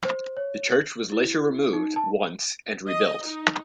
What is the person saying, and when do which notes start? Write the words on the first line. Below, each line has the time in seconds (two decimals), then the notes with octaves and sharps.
The church was later removed once and rebuilt.
0.05 C5
0.37 C#5
0.72 F#7
1.12 E4
1.73 D#4
1.96 A5
2.88 D#5
3.24 D#4